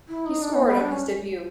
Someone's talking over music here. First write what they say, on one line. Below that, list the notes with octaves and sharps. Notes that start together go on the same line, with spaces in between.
He scored on his debut.
E4
D#4
D4
B3
A#3
B3
D4
C#4